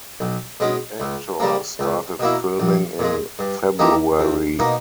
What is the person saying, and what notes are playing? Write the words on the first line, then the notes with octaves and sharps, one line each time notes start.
The actor started filming in February.
B1
B2 G#3 C#4
C#2
C#3 G3 A#3
C#2
B2 A#3 E4
A#1
A#2 G#3
G2
E3 A#3 D#4 G4
E2
B2 A#3 D#4